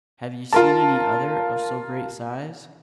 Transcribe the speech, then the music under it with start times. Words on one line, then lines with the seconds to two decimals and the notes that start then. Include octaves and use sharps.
Have you seen any other of so great size?
0.53 F4 A#4 A5